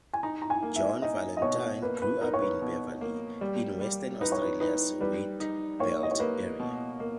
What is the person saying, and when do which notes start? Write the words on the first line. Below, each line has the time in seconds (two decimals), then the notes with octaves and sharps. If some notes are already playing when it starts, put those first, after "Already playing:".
Jo Vallentine grew up in Beverley, in Western Australia's Wheatbelt area.
0.13 G#5
0.23 D#4 A#5
0.42 A#5
0.50 G#5
0.63 A#3
0.76 E5
1.02 D#4 D#5
1.37 D#5
1.42 B2 C#5
1.82 A#3 B4
2.02 B4
2.21 D#4 A#4
2.34 C#5
2.41 B4
2.62 B2
3.01 A#3
3.41 G3
3.81 G3
4.21 D#4 B4
4.32 C#5
4.42 B4
4.60 D#4 B4
5.01 G3 B4
5.40 D#4
5.80 A#3 C#5
6.03 D#5
6.11 C#5
6.19 A#3 B4
6.59 B2
7.00 A#3